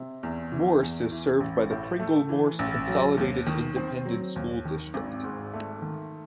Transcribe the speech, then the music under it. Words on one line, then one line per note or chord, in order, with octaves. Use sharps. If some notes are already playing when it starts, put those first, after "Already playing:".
Morse is served by the Pringle-Morse Consolidated Independent School District.
Already playing: C3
E2
E3
E2
E3
A1
A2
A3
E3
A1
F#3
D#2
D#3
C4
F#3
D#2
D#3
G#1
G#2
A3
D#3